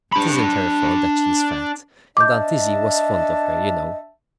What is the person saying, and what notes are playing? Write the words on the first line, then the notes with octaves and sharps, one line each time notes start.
It isn't her fault that she's fat. And Aunt Izzie was fond of her, you know.
D4 B5
D4 D#5 E5 A5 D6 G6